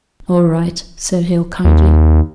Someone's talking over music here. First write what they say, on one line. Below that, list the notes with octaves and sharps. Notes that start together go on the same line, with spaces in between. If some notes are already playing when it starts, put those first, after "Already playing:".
"All right," said Hale kindly.
D#2